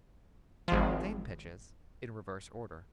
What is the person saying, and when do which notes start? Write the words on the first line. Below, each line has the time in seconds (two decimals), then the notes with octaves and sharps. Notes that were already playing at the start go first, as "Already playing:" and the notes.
Same pitches in reverse order.
0.68 G#1 F3